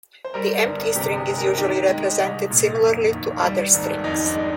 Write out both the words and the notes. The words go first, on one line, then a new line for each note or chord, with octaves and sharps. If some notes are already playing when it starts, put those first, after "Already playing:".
The empty string is usually represented similarly to other strings.
C5
G3 A#4
G1
C3 G4
G#4
G#3
A#4
D#3 G4
G#3
C2
A#2
F1
D#2
G3
G#1
F2 D#4
D4
G#3